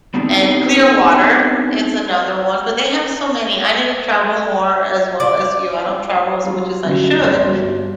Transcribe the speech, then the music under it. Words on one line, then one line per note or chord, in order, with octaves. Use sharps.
and Clearwater, it's another one, but they have so many. I need to travel more, as well as you, I don't travel as much as I should,
B3 C4 D4 D#4 G4 A4
D5
F4
F5 C7
F#3 G3 F4
D3 F#3 C#4 F#4 G4 C#5
F1 C2 C6
G1 G3 F4 F#4